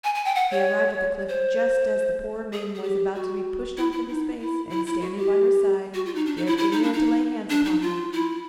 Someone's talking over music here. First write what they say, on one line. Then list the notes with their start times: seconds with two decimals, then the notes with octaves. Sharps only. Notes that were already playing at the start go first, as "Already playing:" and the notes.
He arrived at the cliff just as the poor maiden was about to be pushed off into space, and standing by her side, dared anyone to lay hands upon her.
0.04 G#5
0.15 G#5
0.25 G5
0.35 F#5
0.51 C#5
1.29 C5
2.53 G#4
2.74 G#4
2.83 G4
3.15 F#4
3.77 E4
3.92 E4
4.08 D#4
4.40 E4
4.70 E4
4.86 E4
5.01 F#4
5.17 G4
5.94 F#4
6.05 F4
6.15 D#4
6.26 D4
6.36 D#4
6.46 E4
6.57 E4
6.72 D#4
6.83 D4
6.93 D#4
7.50 D4
7.65 D#4
7.82 F4
8.13 E4